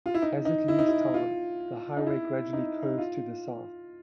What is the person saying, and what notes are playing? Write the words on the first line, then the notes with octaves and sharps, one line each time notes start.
As it leaves town, the highway gradually curves to the south.
F4
E4
D#4
D#4
E4
D#4
E4
F4
D#4
E4
D#4
D#4
F4